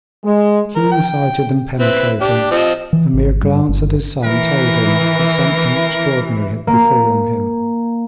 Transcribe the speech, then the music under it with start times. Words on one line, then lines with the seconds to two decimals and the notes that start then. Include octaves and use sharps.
Keen-sighted and penetrating, a mere glance at his son told him that something extraordinary had befallen him.
0.24 G#3
0.76 A#4
0.92 G5
1.80 C4 E4 B4
2.21 D4 G4
2.51 F3 C4 D#5
2.93 E3
3.13 G#1
3.43 G2
3.69 G1
4.24 E3 A#4
6.67 A#3